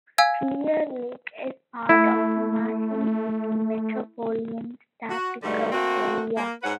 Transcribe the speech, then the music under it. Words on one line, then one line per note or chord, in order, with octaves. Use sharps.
Clear Lake is part of the Mason City Micropolitan Statistical Area.
F5 G#5 E6 G#6
A3 E4
F#4
G#2 B2 D3 G3 A3
A3 A#3 C4 F#4
A#3
G#2 C#4 B4 F#5